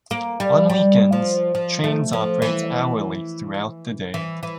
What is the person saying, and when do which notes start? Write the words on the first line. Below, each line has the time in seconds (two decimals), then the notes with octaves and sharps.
On weekends, trains operate hourly throughout the day.
0.11 A#3
0.40 G3
0.70 G3
1.12 F3
1.55 F3
1.84 A3
2.13 F3
2.42 E3
4.14 E3
4.43 E3